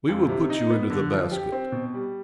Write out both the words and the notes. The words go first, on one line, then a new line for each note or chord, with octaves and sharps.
We will put you into the basket!
F2
C3
D#4
B3
D3
F3
G4
C4
B2
G3